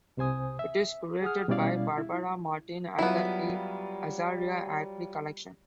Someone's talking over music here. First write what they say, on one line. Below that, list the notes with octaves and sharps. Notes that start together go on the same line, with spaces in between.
It is curated by Barbara Martin at the E. Azalia Hackley Collection.
C2 C3 C5 G#5 D#6
E5
G#4 F#5 D#6 F6
B2 G3 C#4 E4 D5 F5
E4
F#3 G3 B3 E4 F4